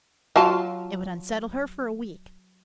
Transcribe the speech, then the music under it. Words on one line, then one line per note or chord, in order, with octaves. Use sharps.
It would unsettle her for a week.
F#3 F4 A5